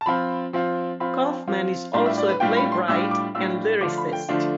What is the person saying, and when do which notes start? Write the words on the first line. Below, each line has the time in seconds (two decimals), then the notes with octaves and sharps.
Kaufman is also a playwright and lyricist.
0.01 A5
0.06 F3 C4 F4 B5
0.53 F3 C4 F4
1.00 F3 C4 F4 B5
1.47 F3 C4 F4
1.93 A2 G3 D4 F4 C6
2.06 E5
2.18 D5
2.29 B4
2.40 A2 G3 D4 F4 G5
2.57 B5
2.72 C6
2.88 A2 G3 D4 F4 E6
3.11 D6
3.35 A2 G3 D4 F4 E6
3.81 D3 F3 A3 D4 F4 D6
3.97 B5
4.13 G5
4.29 D3 F3 A3 D4 F4